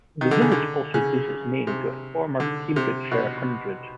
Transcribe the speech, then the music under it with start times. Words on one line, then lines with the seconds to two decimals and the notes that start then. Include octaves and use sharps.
The village also gives its name to a former Cambridgeshire hundred.
0.21 D#3
0.31 D3
0.41 C#3
0.51 D3
0.94 C#3
1.67 C3
2.40 D3
2.76 C3
3.12 B2